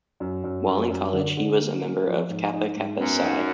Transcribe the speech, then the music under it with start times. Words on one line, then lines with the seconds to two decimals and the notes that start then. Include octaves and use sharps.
While in college, he was a member of Kappa Kappa Psi.
0.20 F#2
0.44 F#2
0.67 F#2
0.90 F#2
1.13 D3
1.37 D3
1.60 A#3
1.83 A#3
2.07 F3
2.30 G#2
2.53 D#4
2.77 G#2
2.99 F#2 B3
3.23 D#4